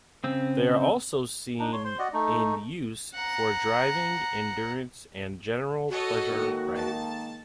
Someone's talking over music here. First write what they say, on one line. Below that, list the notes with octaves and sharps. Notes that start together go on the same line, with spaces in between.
They are also seen in use for driving, endurance and general pleasure riding.
C#3 C4
D4 D#4
C#5 C6
C5 C6
F#4 D5 D#5 F#5
A3 D#4
F#5 A#5
F#4 A4 C#5 D#5
D#3 G#3 A#3
A5